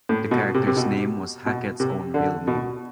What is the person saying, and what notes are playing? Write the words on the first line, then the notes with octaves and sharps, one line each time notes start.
The character's name was Hackett's own real name.
A2
B2
C3
C3
B2
B2
C3
D3
B2